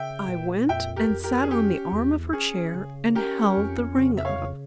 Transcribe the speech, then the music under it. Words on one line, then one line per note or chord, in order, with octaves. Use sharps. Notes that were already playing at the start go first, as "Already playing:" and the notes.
I went and sat on the arm of her chair, and held the ring up.
Already playing: C#3 E5 G5
A#2
F2 E5 G5
G4 A#4
F2
G4 A#4
G#4
C#4 G4
E2
C#4 G#4
C#3
C#4 G4 A#4
F2
C#3
E5
C#5 F5
C#3